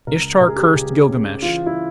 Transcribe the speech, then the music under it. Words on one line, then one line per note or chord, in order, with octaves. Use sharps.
Ishtar cursed Gilgamesh.
C#2 A#4
C#2 A#4
G#4
G4
G#4
C#2
C#3
E3 F4
E4